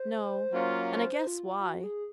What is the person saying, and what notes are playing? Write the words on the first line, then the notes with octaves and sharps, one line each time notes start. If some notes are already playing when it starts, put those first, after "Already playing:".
'No; and I guess why.
Already playing: C5
F#3 A#3 C#4 F4
F4
F4
F4
F#4
G#4